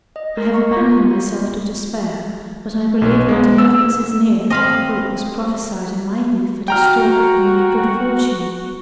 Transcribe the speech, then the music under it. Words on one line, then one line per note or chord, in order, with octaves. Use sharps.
"I have abandoned myself to despair, but I believe my deliverance is near, for it was prophesied in my youth that a stork would bring me good fortune."
D#5
A#4
C#6
F4
B1
G#3
E6
C4 D#5 F5 B5
F#4 G5 A#5 F6